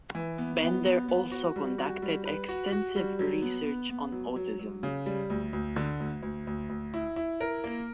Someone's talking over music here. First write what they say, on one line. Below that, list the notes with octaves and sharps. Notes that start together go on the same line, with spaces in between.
Bender also conducted extensive research on autism.
E3
B3
B3
B3
B3
F#4
G3
F#4
G3
B4
F#4
F#4
G3
F#3
B3
B3
B3
F#3
F#3
F#3
C#3
G3
D2
D2
D3
D2
D2
D2
D2
E4
E4
A#4
A#3